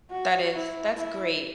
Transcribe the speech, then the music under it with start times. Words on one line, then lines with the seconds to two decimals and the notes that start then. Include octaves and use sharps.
That is That's great.
0.11 F#4
0.54 E4
0.95 E4